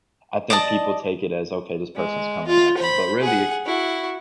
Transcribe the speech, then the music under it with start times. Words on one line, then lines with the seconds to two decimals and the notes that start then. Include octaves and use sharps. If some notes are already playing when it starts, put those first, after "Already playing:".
I think people take it as, "Okay this person's coming at me," but really,
0.50 D5 D#5 A5
1.96 G#3
2.47 F4
2.77 C5 B5
3.21 G#4 F#5
3.66 E4 F#4